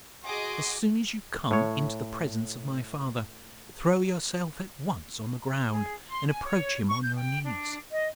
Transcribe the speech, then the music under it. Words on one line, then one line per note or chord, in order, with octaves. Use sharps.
As soon as you come into the presence of my father, throw yourself at once on the ground and approach him on your knees.
F#4 G#4 D#5 C6 D6
A2 C#5
G#4
C6
G#5
C#5
C#6
G6
G5
D4
D#5